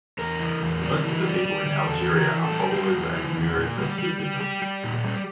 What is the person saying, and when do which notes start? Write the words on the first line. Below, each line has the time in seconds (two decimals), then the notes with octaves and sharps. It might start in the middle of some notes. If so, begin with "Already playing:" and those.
Most of the people in Algeria are the followers and murids of Sufism.
0.18 E2 A#4
0.40 E3
0.61 E2
0.82 G3
1.03 E3
1.24 G3
1.45 G3
1.66 G3
1.87 E2 A4
2.09 E3
2.16 A#4
2.30 E3
2.44 A4
2.51 G3
2.72 G3 F4
2.93 E2
3.14 E3
3.35 E2
3.56 A#2
3.77 G3
3.99 G3
4.20 G3
4.41 G3 G4
4.62 G3
4.83 A#2
5.04 G3